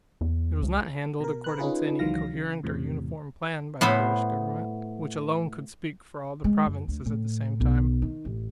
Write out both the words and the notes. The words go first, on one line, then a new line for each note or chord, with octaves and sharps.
It was not handled according to any coherent or uniform plan by the British government, which alone could speak for all the provinces at the same time.
E2
C#2
B2 A#4
A#4 B4 F#6
C#4 D#4 F4 G#4 B4
C#2 D#3 E3 F#3 F5 A#6
C#3
E2 A2 C3
A2 B3 C5 B5
G#3
F#2
D2
A2
B1
D#3
A1